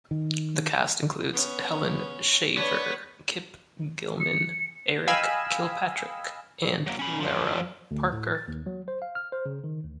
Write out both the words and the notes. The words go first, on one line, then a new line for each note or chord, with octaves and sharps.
The cast includes Helen Shaver, Kip Gilman, Erik Kilpatrick, and Lara Parker.
D#3
B3 C#4
B3 D4 B4 C#5
C#7
D#5 F5 G5 G#5 B5 E6
F#3 A#3
C#4 B5
F#2 F3
D2
A2
A6
D#2
F#3
C5
F5
F6
C5
C#3
D#3
D2